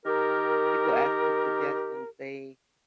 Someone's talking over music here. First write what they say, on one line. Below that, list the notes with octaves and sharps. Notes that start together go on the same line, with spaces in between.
people ask for suggestions, they
D#3 G4 A#4